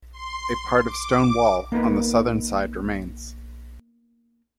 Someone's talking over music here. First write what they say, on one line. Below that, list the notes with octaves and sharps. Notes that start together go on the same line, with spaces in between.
A part of stone wall on the Southern side remains.
C6
D6
A#3 B3 D#4 A#4 B4